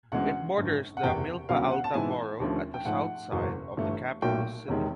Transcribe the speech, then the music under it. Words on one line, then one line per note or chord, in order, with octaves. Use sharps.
It borders the Milpa Alta borough at the south side of the capital city.
D2 C#3 E3 G#3 C#4 F#5
G#1 F#2 D3
F#5
F#1 E2 C3 G5
E1 D2 C#3 F#3 B3 F5
F#5
A5
G#2 E3 G#3 C4 E4 G#5
D#2 D3 F3 A3 C#4
G5
G#2 F3 A3 F#5
F#1 E2 B2 F#3
G1 G2 E3 A3
B1 A#2 F#3 A3 G5
E1 E2 C3 D#3 G#3